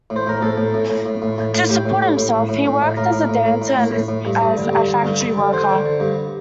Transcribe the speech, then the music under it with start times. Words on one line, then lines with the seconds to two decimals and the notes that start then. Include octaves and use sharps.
To support himself, he worked as a dancer and as a factory worker.
0.10 A2
0.16 C5
0.26 A2 A#4
0.42 A2 A4
0.58 A2
0.74 A2
0.90 A2
1.06 A2
1.22 A2
1.38 A2
1.54 A2
1.70 A2 G4
1.86 A2
2.02 A2
2.17 A2
2.34 A2
2.49 A2
2.66 A2
2.82 A2
2.97 A2 A#4
3.13 A2
3.29 A2
3.46 A2
3.62 A2
3.77 A2
3.93 A2
4.08 A2
4.26 G2
4.41 G2
4.58 D3
4.73 G2
4.89 D3
5.05 G2
5.21 D3
5.37 D3
5.53 D3 C5
5.69 D3
5.85 D3
6.00 G2